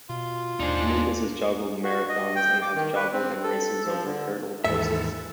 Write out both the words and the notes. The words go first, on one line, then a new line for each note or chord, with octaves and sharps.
Lucas has joggled marathons, and has joggled in races over hurdle courses.
B2 F4
D#2 G#3 D4 D#4 C5
F#4
D#5
G5
D6
D#3
B4
C4
A4
F3
D3
D#2 G#2 E3 A4 E5